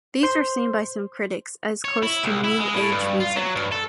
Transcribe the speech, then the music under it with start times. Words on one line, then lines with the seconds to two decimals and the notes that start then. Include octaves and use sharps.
These were seen by some critics as close to New Age music.
0.23 C5 C6
1.85 C#5
2.03 E4
2.24 C2
2.44 E4
2.60 G#3
2.74 A2
2.92 G2
3.20 F4
3.36 F#3
3.56 G2
3.72 A4